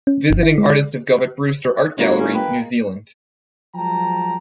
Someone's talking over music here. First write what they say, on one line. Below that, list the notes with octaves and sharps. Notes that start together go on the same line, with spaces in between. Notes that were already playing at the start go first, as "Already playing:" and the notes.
Visiting Artist of Govett-Brewster Art Gallery, New Zealand.
C#4
G1
E4
G#3
D5
G1 G#3 A#3 F#4 C#5
C#4
B4 G5
F3 F#3 G#3 G5 A5 A#5